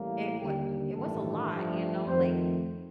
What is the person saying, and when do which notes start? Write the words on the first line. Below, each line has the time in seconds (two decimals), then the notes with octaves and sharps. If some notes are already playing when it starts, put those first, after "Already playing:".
it wa it was a lot, you know, like,
Already playing: A1 A2 G3 A#3
0.38 D#2 D3 G3 A#3 G4
0.94 A1 G2 D#3 A3 A4
1.51 G2 F3 A3
2.06 F2 D#3 A3 C5